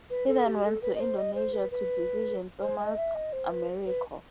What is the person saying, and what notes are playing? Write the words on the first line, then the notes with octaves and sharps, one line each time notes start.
He then went to Indonesia to decision Thomas Americo.
B4
A4
G4
A4
B4
D#5
C5
D#5
C5
B4
B4
C5
D#5
E5
D#5
C5
B4
B4